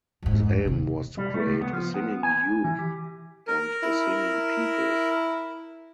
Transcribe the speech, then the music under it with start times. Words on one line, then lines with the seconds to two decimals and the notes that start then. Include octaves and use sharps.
His aim was to create "a singing youth" and "a singing people".
0.23 F2 G#2
0.65 D#2 C3
1.17 G3
1.34 A3
1.47 C#2
1.61 B3
1.73 F3
1.94 B3
2.23 G#5
2.64 E3
2.79 G4
3.47 A#4
3.83 E4